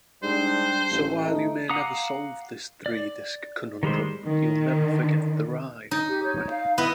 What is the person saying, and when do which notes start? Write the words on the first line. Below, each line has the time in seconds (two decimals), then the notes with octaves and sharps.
So while you may never solve this three-disc conundrum, you'll never forget the ride.
0.23 G#2 G3 D4 C5
0.91 A1
1.24 A3 D#4
1.70 F5 F#5 A#5 D6 D#6
2.86 D5
3.83 D#3 G3 G#3 C5
4.26 D#3
5.91 D#4
6.09 G4
6.23 C#5
6.50 F5
6.78 B3 E4 B4 D#5